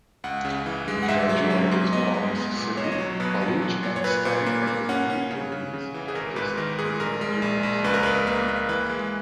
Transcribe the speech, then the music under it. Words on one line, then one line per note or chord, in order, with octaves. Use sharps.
He graduated from Mississippi College and studied at the New Orleans Baptist Theological Seminary.
C#2 F#5
C#3
E3
G#3
F#5
G#2 E5
F#3
C#4
G#2
B3 D#5
G#3
B3
A#2
B1 C#5
D#5
C#5
F#3
B2 B4
F#3
A#2
A#2
C#5
A#2 B4
A#2
A#3
A#3
C#4 F#5
C#4
C#3
C#3
C#3
E3
G#4
G#1 A#4
G#2 B4
D#3 A#4
G#2 G#4
A#1 A#4
G#3
A#1
A#1
C#2 B4
A#4
C#2 B4
A#3
A#3
E3 B4
G#3